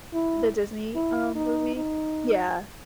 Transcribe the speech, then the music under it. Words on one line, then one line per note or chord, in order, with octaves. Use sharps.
The Disney, um, movie. Yeah.
E4
E4
D#4
D#4